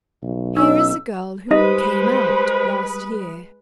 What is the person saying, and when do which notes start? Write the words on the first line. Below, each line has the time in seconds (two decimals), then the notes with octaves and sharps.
Here is a girl who "came out" last year.
0.23 B1
0.56 C#4 D#4 E6
1.51 G3 G#3 D#4 B4 C5 D#5 D#6